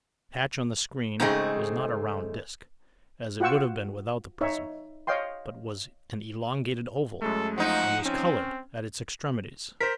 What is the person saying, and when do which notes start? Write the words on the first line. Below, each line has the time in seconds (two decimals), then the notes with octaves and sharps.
The patch on the screen was not a round disk, as it would have been without the prism, but was an elongated oval and was coloured at its extremities.
1.20 G#2 C#3 A3 C4 G#4 D#5
3.40 F4 F#4 F#5 G5 C#6 E6
4.41 D#4 C#5 E5
5.07 C#5 D#5 F5 G5 C6
7.22 F#2 G#3 A3 A4
7.58 F3 D#4 F#5
8.05 C4 C#4
9.80 A#4 C5 B6